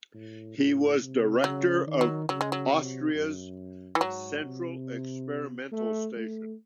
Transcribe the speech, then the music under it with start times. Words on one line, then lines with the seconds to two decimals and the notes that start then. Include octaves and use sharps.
He was director of Austria's Central Experimental Station.
0.15 A2
0.58 A2
1.01 C3
1.44 C#3 F#3
1.87 D#3
2.01 F#3
2.29 C#3 F#3
2.41 G#3
2.52 F#3
2.72 C3
3.15 F#2
3.95 E3
4.01 G#2 F#3
4.45 C3
5.72 A3
6.16 A3